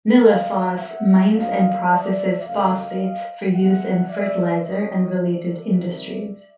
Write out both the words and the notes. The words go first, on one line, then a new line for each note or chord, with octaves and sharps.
Nilefos mines and processes phosphates for use in fertilizer and related industries.
G2 D3 G3 D#5 F5
E5 F#5
G2 D#3 F#3 D#5 F5
D5 E5
F#2 C#3 F#3 A3 D#5 F5
B2 G#3 E5 F#5
D5 E5
G2 E3 G3 C#5 D#5
D5 E5
C3 D#3 G3